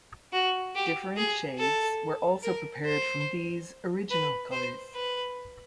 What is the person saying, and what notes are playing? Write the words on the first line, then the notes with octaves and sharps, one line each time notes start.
Different shades were also prepared from these original colors.
F#4
G4
G#4
A4
A#4
C5
B4
C5
B4